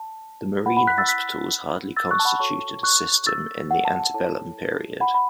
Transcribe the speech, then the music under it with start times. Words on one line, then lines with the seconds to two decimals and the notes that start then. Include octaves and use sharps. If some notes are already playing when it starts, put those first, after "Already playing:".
The marine hospitals hardly constituted a system in the Antebellum period.
Already playing: A5
0.66 E4 B4 F#5 B5
0.77 F#5 B5
0.87 F#6 B6
0.98 E6 A6
1.09 F#6 B6
1.97 E6 A6
2.11 C#6 F#6
2.19 A5
2.25 F#5 B5
2.39 F#4 A4 C#5 A5 C#6
2.83 C#6 F#6
3.27 E6 A6
3.71 F#5
3.85 A5
3.99 A5
4.14 E4 A4 C#5 A5
5.01 F#5 B5
5.14 B5